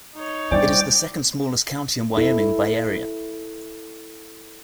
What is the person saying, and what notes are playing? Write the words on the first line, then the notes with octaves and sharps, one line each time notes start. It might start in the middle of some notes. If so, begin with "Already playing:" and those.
It is the second-smallest county in Wyoming by area.
D#4 C#5
G3 D4 E4 C5 D5 G5 G#5 D6
E4 A4